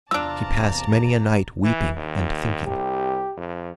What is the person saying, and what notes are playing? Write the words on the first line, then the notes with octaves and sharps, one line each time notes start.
She passed many a night weeping and thinking.
E2 C3 D4 F4 D5 A5 A#5 E6
E3
D#2
C2 G4
F2